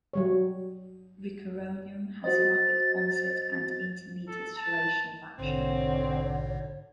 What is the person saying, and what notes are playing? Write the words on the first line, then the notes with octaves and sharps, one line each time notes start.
Rocuronium has a rapid onset and intermediate duration of action.
F#3 G3 C#5
F#4 C5 D#5 A6
A4
A5
A#1 G#2 B2 D3 C4 C#5